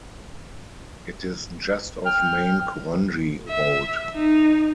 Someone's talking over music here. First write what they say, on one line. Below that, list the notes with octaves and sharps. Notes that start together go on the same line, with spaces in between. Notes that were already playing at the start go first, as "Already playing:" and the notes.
It is just off main Korangi Road.
G5 F6
E5
D#4